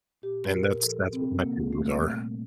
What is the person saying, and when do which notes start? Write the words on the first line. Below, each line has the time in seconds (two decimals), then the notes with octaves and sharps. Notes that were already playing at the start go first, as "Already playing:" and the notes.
And that's that's what my feelings are.
0.22 A#2 G4
0.52 A#2 A#4
0.83 F3 A4
1.13 C3 C4
1.43 C3 A#3
1.73 G3 A3
2.04 A#2